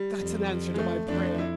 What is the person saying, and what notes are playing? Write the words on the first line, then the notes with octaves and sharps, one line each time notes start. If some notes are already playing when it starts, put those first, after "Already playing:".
That's an answer to my prayer.
Already playing: G3
F2
G#3
A3
F2 D4
E4